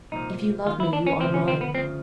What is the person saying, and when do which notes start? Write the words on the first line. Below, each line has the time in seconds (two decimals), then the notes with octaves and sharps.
If you love me, you are mine.
0.12 C2 A#2 F3 D#4
0.66 D#2 D#3 F4
0.80 E4
0.93 D4
1.07 C#4
1.20 D2 C3 F3 C4
1.34 C#4
1.48 C4
1.61 B3
1.74 D2 C#3 F3 C4